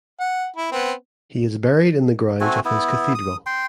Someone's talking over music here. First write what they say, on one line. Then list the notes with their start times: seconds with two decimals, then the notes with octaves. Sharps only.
He is buried in the grounds of his cathedral.
0.20 F#5
0.56 E4
0.72 B3 C4
2.41 A3 C4 F#4 G#5
2.65 B3 E4
3.15 D#6
3.46 G5 C6